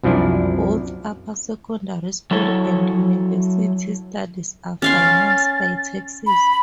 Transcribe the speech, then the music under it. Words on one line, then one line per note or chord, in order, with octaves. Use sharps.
Both upper secondary school and university studies are financed by taxes.
C2 F#2 F3 D4 E4 D5
F#3 E4 A4 C#5
C#4 F5 C6 A6
B5